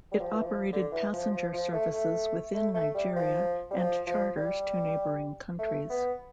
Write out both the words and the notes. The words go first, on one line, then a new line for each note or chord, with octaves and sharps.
It operated passenger services within Nigeria and charters to neighbouring countries.
G3
F3
E3
F3
D3
E3
F3
F3
F3
A3
A3
A3
A3
G3
F3
G3
F3
F3
G3
A3
B3